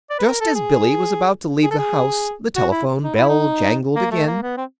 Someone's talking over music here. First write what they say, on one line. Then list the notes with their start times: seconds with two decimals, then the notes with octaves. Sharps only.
Just as Billy was about to leave the house the telephone bell jangled again.
0.10 D5
0.19 B4
0.25 A#4
0.41 A4
0.55 G#4
1.63 G#4
1.71 A4
1.78 G#4
2.56 F#4
2.71 E4
3.03 D#4
3.15 E4
3.29 D#4
3.96 A#3
4.11 A3
4.27 A#3
4.42 B3
4.57 C4